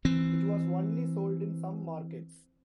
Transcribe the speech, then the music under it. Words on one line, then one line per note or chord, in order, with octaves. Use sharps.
It was only sold in some markets.
E3 C4